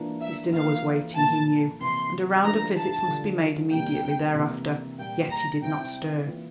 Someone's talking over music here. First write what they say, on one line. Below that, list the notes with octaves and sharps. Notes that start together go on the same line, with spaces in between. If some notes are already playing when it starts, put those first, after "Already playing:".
His dinner was waiting, he knew, and a round of visits must be made immediately thereafter, yet he did not stir.
Already playing: E3 A#3 D4 F4
E5
E3 A#3 F4 F5
A#2 F3 A#3 A5
C3 E3 A#3 E4 C6
E3 G3 D4 F4 A#5
A5
D3 G3 D4 F4
C3 G3 A#3 G5
C3 E3 A#3
A#2 G3 A#3 G5
A#5
C3 G3 C4 E4 G5
E3 A#3 F4